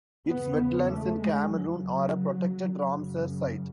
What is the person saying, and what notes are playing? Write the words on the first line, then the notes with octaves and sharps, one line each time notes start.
Its wetlands in Cameroon are a protected Ramsar site.
E2 C#3 B3
B3
A3
G#3
D#2 C#3 F#3
F#2 C#3